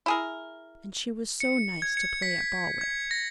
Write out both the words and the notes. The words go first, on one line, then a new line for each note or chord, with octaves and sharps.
And she was so nice to play at ball with!
E4 G#4 A#4
C#7
G#6
C#7
B6
G#6
A#6